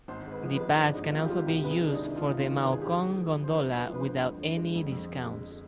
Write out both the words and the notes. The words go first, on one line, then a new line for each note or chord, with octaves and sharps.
The pass can also be used for the Maokong Gondola without any discounts.
G#1 C5
G#2
B4
F3
B4
G#3
G#1 D4
G#2 D#4
F3 F4
G4
G#3 F4
C2 G4
C3 B4
G#4
D#3
D4
D#4
C2
C2 F4
C3 D#4
F4
D#3
B4
C2 G#4
D2 G4
G#4
D3
F3
D2
C5
D2 B4
D3
B4
F3
B4
C5
D2
F2
D3
G#3
F2
F2
D3
G#3